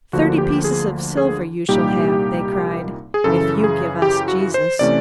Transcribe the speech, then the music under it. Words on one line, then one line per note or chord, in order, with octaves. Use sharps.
"Thirty pieces of silver you shall have," they cried, "if you give us Jesus!"
D2 D3 F3 A#3 D4 F#4
G4
G#4
G#4
C2 A#2 G3 A#3 D#4 G4
G#4
F#2 C#3 E3 A4
G#4
G4
F#4
C5
C3 E3 A3 C#4 D5